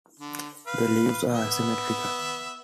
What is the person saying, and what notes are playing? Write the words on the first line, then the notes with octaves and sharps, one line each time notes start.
The leaves are asymmetrical.
D3
B4 F5
B3 E5